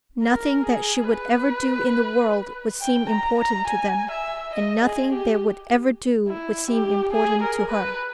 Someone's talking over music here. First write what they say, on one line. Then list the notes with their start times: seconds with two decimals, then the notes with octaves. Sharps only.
Nothing that she would ever do in the world would seem important to them, and nothing they would ever do would seem important to her.
0.23 A#4
0.66 G#4
1.09 B4
2.82 G5
3.10 A#5
3.39 A#5
3.68 G#5
4.11 E5
4.55 D#5
4.84 G#4
5.13 G4
6.27 E4
6.71 G4
7.14 G#4
7.43 A#4
7.71 B4